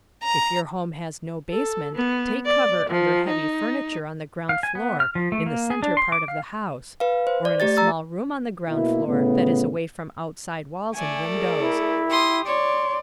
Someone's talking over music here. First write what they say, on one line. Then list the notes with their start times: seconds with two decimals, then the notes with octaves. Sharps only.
If your home has no basement, take cover under heavy furniture on the ground floor in the center part of the house, or in a small room on the ground floor that is away from outside walls and windows.
0.23 A#5
1.50 A4
1.96 B3
2.46 D5
2.90 F3
3.28 D#4
4.49 F5
4.63 G#5
4.75 B3
5.00 F6
5.15 F3
5.32 A3
5.46 A#3
5.70 G#4
5.83 D4
5.97 C6
6.12 D6
6.28 F5
7.00 B4 F5
7.27 C5
7.45 D5
7.60 A3 G4 D5 A6
7.77 A#5 E6 A6
8.69 B2 A#3 E4
9.06 A2 C#3 B3
10.94 A3 D5 G#5
11.29 G#4 A#4
11.59 E4
12.10 G4 C6 D#6
12.46 C#5 D5 C6